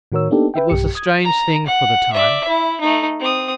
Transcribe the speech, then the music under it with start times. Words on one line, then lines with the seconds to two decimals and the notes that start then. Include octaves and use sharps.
It was a strange thing for the time.
0.12 A2 D#3 F#4 A#4 C#5 E6
0.31 A#3 B3 D4 D#4 G4 A4
0.54 B4 E5 G5
0.70 B1 G2 G4 C#7
0.95 D#6 G#6
1.24 A#5
1.66 F#5
2.13 D5 E5
2.48 E4
2.81 A3 D#4
3.20 C4 D#6